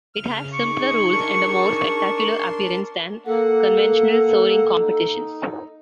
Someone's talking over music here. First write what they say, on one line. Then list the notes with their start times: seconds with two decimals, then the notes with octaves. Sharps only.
It has simpler rules and a more spectacular appearance than conventional soaring competitions.
0.15 C#3 F6
0.53 D#4 G#4 C#6 D6 C#7
1.12 D4 A#4 A5
2.10 C6
3.26 A#3 A4 F#5
4.78 D#4